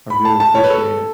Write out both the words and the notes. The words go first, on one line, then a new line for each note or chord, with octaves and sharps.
I really appreciate it.
B5
A5
A5
C#5
B4
A4